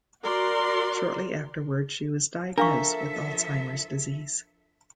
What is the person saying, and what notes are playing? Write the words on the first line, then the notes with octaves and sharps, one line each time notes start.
Shortly afterwards she was diagnosed with Alzheimer's disease.
F#4 A#4 D5 C6
F3 D4 A4 A#4 E5 F5 C#6